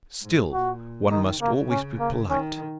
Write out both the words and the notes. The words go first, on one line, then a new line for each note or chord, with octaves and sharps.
Still one must always be polite.
G#2
A#2 F#4
D#3 D#4
C#3 A#3
C#4
A#3
D#3 C#4